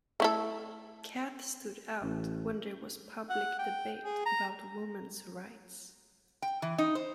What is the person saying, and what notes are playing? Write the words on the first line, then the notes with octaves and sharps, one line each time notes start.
Canth stood out when there was public debate about women's rights.
A3 E4 A4
A1
F#5
G5
G#4
A#5
G5
E3
D#4
C5